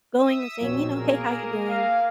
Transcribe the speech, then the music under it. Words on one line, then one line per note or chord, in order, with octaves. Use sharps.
going and saying, you know, "Hey, how you doing?"
E5 D#6 E6
A#1 B2 C4 C#5 E6
A#3 G#4 A#4
D7 E7
F5